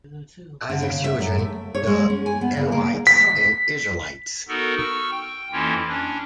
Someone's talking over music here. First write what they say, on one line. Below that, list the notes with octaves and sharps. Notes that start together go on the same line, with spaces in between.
Isaac's children the Edomites and Israelites.
D3
C#3
E5
F#2
A3
C#5
G#3
C#4
G#5
B3
C#3
A#3
B6
B3 D#4 F#4 A4 A#4
C#6 E6 F6
G5
F2 E3 A#3 C#4 E4 F4
C#4 D4